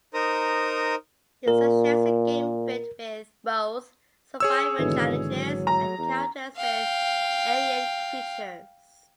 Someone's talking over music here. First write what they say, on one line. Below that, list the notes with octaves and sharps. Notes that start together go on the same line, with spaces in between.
It suggests a game filled with both survival challenges and encounters with alien creatures.
D#4 A#4 C5 A#5 D#6
A#2 A#4
G#4 C#5 E6
G#1 B2 D3 E3
F#3
A#5
E2
F5 G5